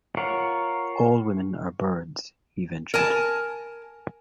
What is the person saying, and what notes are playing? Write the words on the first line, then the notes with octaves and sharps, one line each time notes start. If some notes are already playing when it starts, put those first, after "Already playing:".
"All women are birds," he ventured.
F4 A#4 C#5 F#5
A#4 G#5 A5